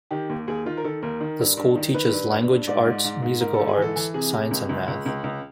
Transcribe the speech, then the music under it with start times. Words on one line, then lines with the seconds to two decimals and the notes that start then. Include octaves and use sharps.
The school teaches Language Arts, Musical Arts, Science and Math.
0.11 D#3 G4
0.29 D#2
0.47 D#2 G#4
0.66 D#3 F4
0.77 A#4
0.84 D#3 A4
1.02 D#2 A#4
1.20 D#3
1.39 G2
1.57 G2
1.76 D#3
1.94 D#3 B4
2.12 G2
2.31 G2
2.49 G2
2.67 G#2 D5
2.85 G#2
3.04 G#2
3.22 G#2
3.41 G#2 A#4
3.54 A4
3.59 G#2
3.68 G#4
3.77 E3 A4
3.96 E3
4.14 C3 G#4
4.33 C3
4.51 C#2
4.69 C#2
4.88 C#2
5.06 C#2
5.24 C#2